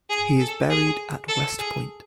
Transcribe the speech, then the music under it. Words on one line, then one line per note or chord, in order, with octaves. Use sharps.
He is buried at West Point.
G#4
A4
G#4
A4
G#4